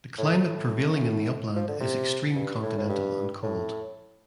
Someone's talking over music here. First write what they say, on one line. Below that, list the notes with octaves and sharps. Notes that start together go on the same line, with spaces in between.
The climate prevailing in the upland is extreme continental and cold.
A2
A2
F3
D3
C3
G2
A2
A2
G2
A2